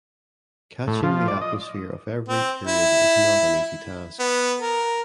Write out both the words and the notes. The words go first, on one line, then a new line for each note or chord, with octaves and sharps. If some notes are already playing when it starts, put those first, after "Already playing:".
Catching the atmosphere of every period is not an easy task.
A2
F3
D5
D#5
C4
E4
B3
A#4